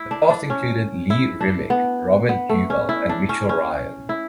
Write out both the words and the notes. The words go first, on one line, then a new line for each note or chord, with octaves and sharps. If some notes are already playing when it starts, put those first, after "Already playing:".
The cast included Lee Remick, Robert Duvall and Mitchell Ryan.
Already playing: E4
D4
D4
C#4
E4
D4
B3
B3
A3
C#4
E4
D4
C#4
C#4
E4